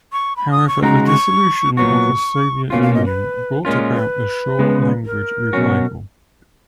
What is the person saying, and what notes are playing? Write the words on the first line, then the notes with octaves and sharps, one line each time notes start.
However, the dissolution of the Soviet Union brought about the Shor language revival.
C#6
B5
D#6
C#6
C#3 G#3 D#4 F#4 A#5
C#6
A#2 F#3 B3 F#4 C#6
B2 A#3 C#4 F4 F5
F5
D#5
B4
A#2 G#3 C#4 F4 A#4
B4
C#3 G#3 B3
A#4
B2 F#3 C#4 F#4